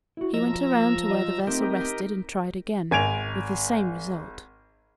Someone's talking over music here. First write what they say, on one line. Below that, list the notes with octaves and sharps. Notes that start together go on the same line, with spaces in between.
He went around to where the vessel rested and tried again, with the same result.
E4 F#4
F3 D#5 A#5 E6
C5 D#5
A3 C4 D#4 G4 A#4
G#1 G#5 G#6 D7 F7